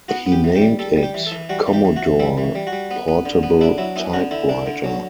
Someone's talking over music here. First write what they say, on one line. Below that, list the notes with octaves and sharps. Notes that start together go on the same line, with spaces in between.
He named it Commodore Portable Typewriter.
B3 F#4
B3
G4
E3
G4
G3
G3 A4
G3
G4
E3
A4
E3
G3 F#4
E3
G4
E3
F#4
E3
G3 E4
E3
G3
F#4
G3
B3
B3
D3
B3
D4 E4
F#3 E4
B3 E4
D3 F#4
D3 E4
D4
D3
F#3